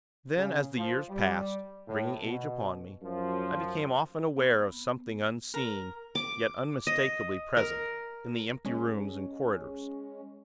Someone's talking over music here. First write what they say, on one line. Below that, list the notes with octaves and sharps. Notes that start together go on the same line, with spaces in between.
Then, as the years passed, bringing age upon me, I became often aware of something unseen, yet unmistakably present, in the empty rooms and corridors.
C#3
F3
G3
A2
B2
F#2 F3
B3
A#4
D6
D#5
A#4
G#3 C#4